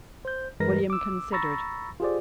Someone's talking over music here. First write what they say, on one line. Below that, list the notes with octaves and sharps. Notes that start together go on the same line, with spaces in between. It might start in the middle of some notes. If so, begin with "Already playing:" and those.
William considered.
C5 G6
G2 E3 G#3 A#4 B4 A#6
D6 E6
A#5 B5 C#6 E6 A6 A#6
F4 G4 G#4 C5 D5